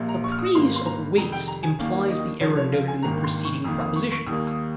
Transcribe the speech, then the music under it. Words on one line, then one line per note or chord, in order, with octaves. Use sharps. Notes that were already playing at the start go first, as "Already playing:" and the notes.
The praise of waste implies the error noted in the preceding propositions.
Already playing: A#1 A#2 G3 A#3
A#5
C#6
F6
D#6
G#1 G2 G3 A#3 C6
C6
A#5
F2 C3 D#3 G3 A#5
G5
A#5
G#5
D#2 D#3 G3 A#3 F5
D#5
C#2 C#3 F3 G#3 C#5
C#5
F5
G#5
G#1 G2 D#3 A#3 A#5
C6
C#6
F2 D#3 A#3 D#6
D#6
C#6
C#6
D#2 D#3 G3 A#3 D#6
D#6